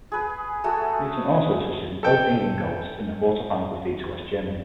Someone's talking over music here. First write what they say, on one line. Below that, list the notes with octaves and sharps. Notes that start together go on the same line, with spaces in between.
Newton also assisted in both England goals in the Quarter-Final defeat to West Germany.
G#4 B4
A3 F#4 G#4 A4
A4 G5